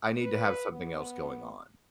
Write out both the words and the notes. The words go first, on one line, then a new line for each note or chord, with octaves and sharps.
I need to have something else going on,
B4
B3